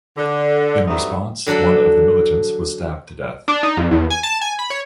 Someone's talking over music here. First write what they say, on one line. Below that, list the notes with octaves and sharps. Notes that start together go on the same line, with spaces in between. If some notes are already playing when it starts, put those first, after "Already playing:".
In response one of the militants was stabbed to death.
D3
G2 F#3 G3 A3 C4 D#4
D3 F#3 D4 A4 D5
D4
D#4
F2
E2
G#5
A5
G#5
B5
C#5